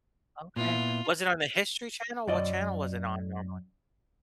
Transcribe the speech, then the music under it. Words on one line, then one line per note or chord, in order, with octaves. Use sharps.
Okay was it on the history channel, what channel was it on normally?
A#2 B3 E4 F4
F#2 D5 D#5